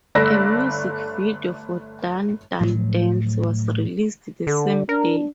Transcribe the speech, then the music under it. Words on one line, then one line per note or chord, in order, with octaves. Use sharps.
A music video for "Dun Dun Dance" was released the same day.
G1 A3 D5 B5 E6 A#6
A2 F3 F#3
D3 A4
D4 A#4